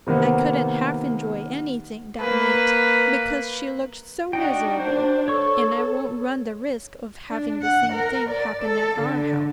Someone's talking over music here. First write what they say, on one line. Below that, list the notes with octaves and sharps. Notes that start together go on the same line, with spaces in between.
I couldn't half enjoy anything that night, because she looked so miserable; and I won't run the risk of having the same thing happen at our house.
C3 D#3 A#3 B3
A#3 B4
D4 D#4 F#4 G5
D4 C5
A4 C#5 C#6
D4
F#5
A#4
D5
A4
D3